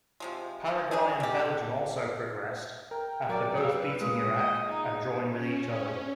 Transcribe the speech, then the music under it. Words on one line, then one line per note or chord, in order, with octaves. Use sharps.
Paraguay and Belgium also progressed after both beating Iraq and drawing with each other.
C3 F3 G#3
A3 D4 G#4
G3 G4
A#4 G5
F#3 A#4 D5
B4 F5 E6
A#2 G#3 D#6
D#5
D#4
C#4